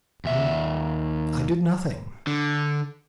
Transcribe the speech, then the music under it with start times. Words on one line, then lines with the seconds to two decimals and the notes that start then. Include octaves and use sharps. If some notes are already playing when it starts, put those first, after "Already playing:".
And I did nothing.
0.25 D#2 E5
2.27 D3